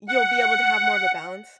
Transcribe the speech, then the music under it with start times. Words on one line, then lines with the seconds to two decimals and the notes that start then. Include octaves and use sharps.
you'll be able to have more of a balance.
0.08 F#5